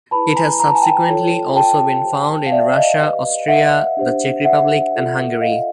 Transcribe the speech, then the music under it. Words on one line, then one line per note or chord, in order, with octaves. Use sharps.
It has subsequently also been found in Russia, Austria, the Czech Republic, and Hungary.
E4 G#4 B4 A5 B5
G#5 A#5
A#5
A5
G#5
G5 A5
F4 A4 C#5
G5 A5
G4 C5
F5
D5 E5
D#5 F5
G4 B4 D5
E5 F#5
D4 G4 C5
E5 F#5
F4 A4 D5
D#5 F5